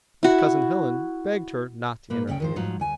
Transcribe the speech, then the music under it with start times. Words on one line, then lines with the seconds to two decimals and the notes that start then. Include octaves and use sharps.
And Cousin Helen begged her not to interfere.
0.23 E4 F#4
2.10 A#2 A#3 B4
2.27 D2 C#3 C#4 F#5 G5
2.40 D#3 F3 C5
2.56 G#2 F3 F#3
2.80 D2 G#5